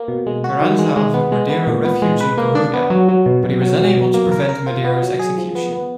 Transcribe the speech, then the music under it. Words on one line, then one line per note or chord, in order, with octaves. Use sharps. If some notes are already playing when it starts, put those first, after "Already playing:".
Carranza offered Madero refuge in Coahuila, but he was unable to prevent Madero's execution.
Already playing: A#3
B2
G#3
F#4
D#3
G#3
G#3
B3
G#3
B3
A#2
B3
G#3
B4
A#3
D4
B3
F#3
F#3
B2
B2
F#3
F#3
B2
A#3
A#4
A#4
F4
B3
F#3
G#4
F3
B3
B3